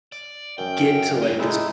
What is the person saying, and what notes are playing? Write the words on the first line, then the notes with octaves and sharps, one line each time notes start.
get to, like, this
D5
F#2 G5
D#4 F4
C2 G#3 D#4 E4